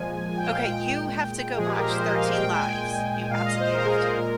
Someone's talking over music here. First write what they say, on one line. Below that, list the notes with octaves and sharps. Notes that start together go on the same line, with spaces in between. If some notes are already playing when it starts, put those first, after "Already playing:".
Okay, you have to go watch Thirteen Lives. You absolutely have to.
Already playing: A#2 F3 G#3 G#5
G#5
G5
F5
G5
A#2 G#3 G5
A#2 F3 G#3 G#4
G4
A#4
C5
D#5
F5
G5
A#2 G#3 G5
G#5
G5
A#2 G#3 F5
D#5
C5
A#4
G#4
A#4
G#4
A#2 G#3 A#4